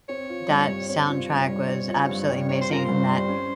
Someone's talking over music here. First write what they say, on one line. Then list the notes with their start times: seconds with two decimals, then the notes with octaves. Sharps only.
that soundtrack was absolutely amazing in that
0.08 C4 C#5
0.29 F4
0.49 G2
0.69 G3
0.89 C4 C#5
1.09 F4
1.29 G2
1.49 G3
1.69 C4
1.89 F4
2.09 G2
2.29 G3
2.49 C4 C#5
2.61 C5
2.69 F4 A#4
2.85 G2 C5
3.09 G3
3.29 C#4